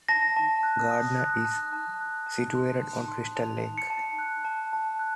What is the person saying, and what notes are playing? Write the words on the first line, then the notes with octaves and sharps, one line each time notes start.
Gardner is situated on Crystal Lake.
A5 A#6
A5
F#6
D#6
F#6
A5
A5
F#6
A5
C6
A5
C6
A5 F7
A5
C#7
A5
F#6
A5
A5
F#6